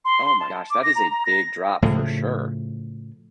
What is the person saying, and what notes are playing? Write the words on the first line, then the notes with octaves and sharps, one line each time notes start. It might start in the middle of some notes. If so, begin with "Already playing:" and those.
Oh my gosh, that is a big drop for sure!
C6
C6
A5
D6
A#6
A#5
A#5
A#6
A2 C#3 F3